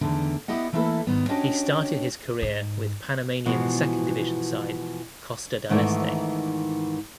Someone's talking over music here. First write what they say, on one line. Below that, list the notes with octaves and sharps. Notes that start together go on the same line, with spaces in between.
He started his career with Panamanian second division side Costa del Este.
E2 D3 D#3 A3
B3 E4 G4 D#5 F#5
E3 A3 A#3 E4 A4 B4
G#2 D#3 G3 B3
C#4 D4 F#4 G4 C#5 D#5
G#2
B2 E3 F3 G#3 F#4
G#2 D#3 E3 A3 B3 E5